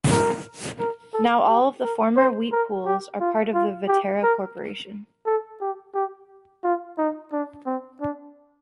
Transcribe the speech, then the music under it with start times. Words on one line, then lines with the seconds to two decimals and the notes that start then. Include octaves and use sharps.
Now all the former wheat pools are part of the Viterra corporation.
0.11 A#4
0.79 A#4
1.14 A4
1.48 G4
1.83 A#4
2.16 C5
2.52 A#4
2.86 G4
3.20 F4
3.54 F4
3.88 G4
4.23 A#4
5.26 A4
5.61 G4
5.95 G4
6.63 F4
6.98 D#4
7.32 D4
7.66 C4
8.01 D4